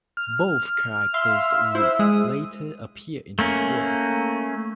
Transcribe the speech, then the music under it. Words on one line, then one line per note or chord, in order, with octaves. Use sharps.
Both characters would later appear in his work.
F6
E5 F5 C6
E4 C5
G#3 D#6
A3 A#3 C#4